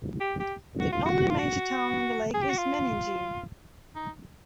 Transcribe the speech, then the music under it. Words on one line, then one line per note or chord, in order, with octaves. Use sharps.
The only major town on the lake is Meningie.
G4
G4
F#4
F4
F#4
F4
F#4
G#4
G4
F#4
F4
D#4